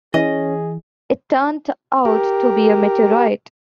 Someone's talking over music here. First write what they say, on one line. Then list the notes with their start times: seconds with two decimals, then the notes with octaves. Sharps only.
It turned out to be a meteorite.
0.14 E3 C#4 G#4 D#5
2.05 G4 A#4